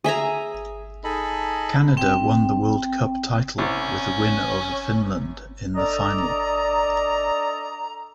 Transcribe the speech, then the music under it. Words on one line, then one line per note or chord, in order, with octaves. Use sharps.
Canada won the World Cup title with a win over Finland in the final.
G#4 E5 G#5 A#5
D#4 G#4 A4 D#5 B5
C4 G5
C2 C#4
D4 A4 D5 D#5 A#5